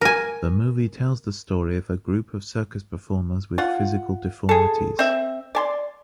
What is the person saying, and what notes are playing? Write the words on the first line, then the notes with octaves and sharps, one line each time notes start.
The movie tells the story of a group of circus performers with physical deformities.
A#4 G#5
F4 F#5
G#4 A4
C4 E5
D5 G#5 C6